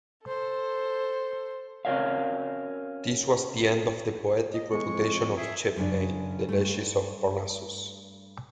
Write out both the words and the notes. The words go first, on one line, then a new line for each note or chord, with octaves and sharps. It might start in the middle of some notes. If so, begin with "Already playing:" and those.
This was the end of the poetic reputation of Chapelain, the legist of Parnassus.
A4 C5
C4 C#4 F#4 A#4 C#5 F5
D#5
E2 G#3 C#6
F2
G#4 E5
F#2 C#3 D4
G2 A3